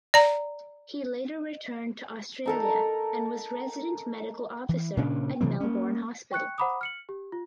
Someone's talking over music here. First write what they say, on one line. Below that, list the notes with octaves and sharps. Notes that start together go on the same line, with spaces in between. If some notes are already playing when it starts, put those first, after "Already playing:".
He later returned to Australia and was Resident Medical Officer at Melbourne Hospital.
D5 A#5
D#4 A4 A#4
E3
A#2 C#3 C#4 D4
C3 E3 F#3 C4
A#3 C#4
G5 C#6 F#6 C#7
C5 F#5 A#5 B5 D6 D#6
F6 C#7 F#7
G4
F4